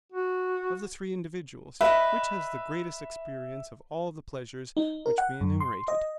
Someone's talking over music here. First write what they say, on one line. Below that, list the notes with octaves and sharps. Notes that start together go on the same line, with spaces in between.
Of the three individuals, which has the greatest experience of all the pleasures which we enumerated?
F#4
B4 D#5 E5
D#4
A#4
F#5
F#2
C6
D#5